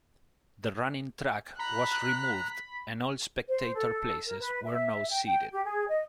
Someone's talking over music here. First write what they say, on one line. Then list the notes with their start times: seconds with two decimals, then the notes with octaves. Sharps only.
The running track was removed and all spectator places were now seated.
1.59 A#5 B5 F#6
3.47 C5
3.75 A4
4.27 A#4
4.40 B4
4.65 E5
5.09 G5
5.26 G5
5.52 G4
5.65 G#4
5.88 D#5